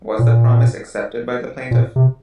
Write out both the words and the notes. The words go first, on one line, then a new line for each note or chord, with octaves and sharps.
Was the promise accepted by the plaintiff?
A#2
A#2
C3